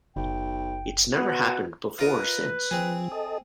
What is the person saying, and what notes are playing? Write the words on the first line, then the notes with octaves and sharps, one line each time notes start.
It's never happened before or since.
F#1 B1 G5
B2 B3 F#5
F4 A#4 B4 D#5
F3 C4 G#4
A4 D#5